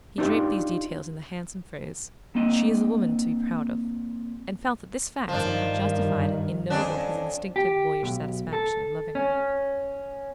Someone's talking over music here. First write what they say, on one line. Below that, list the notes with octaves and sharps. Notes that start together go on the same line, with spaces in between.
He draped these details in the handsome phrase "She's a woman to be proud of", and felt that this fact somehow justified and ennobled his instinctive boyish satisfaction in loving her.
D4 D#4 F4 G4 B4 D5
A#3 C4 D4 D#5
G2 D#3 F3 D4
F2 C#4 D4
G4
B1
A4
C#4